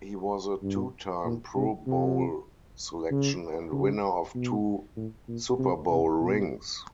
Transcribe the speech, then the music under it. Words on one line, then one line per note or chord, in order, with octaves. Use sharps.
He was a two-time Pro Bowl selection and winner of two Super Bowl rings.
G2
A#2
C3
C3
C#3
C#3
B2
A2
A#2
C3
C3
B2